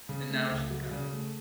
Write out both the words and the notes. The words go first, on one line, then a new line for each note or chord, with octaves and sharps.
and now she's kind of
C#3
A3
C#2
F#3
C#3
A3